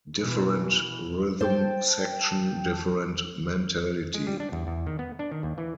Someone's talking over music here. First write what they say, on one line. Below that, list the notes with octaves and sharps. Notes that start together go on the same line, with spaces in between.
Different rhythm section, different mentality.
B2 E3
C5 G5 A5
G#3
G3
D4
E2
E2
D#3
B3
D4
D#3
D#2
E3